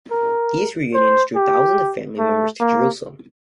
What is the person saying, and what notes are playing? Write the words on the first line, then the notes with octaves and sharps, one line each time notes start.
These reunions drew thousands of family members to Jerusalem.
A#4
C5
G4
A3
A#3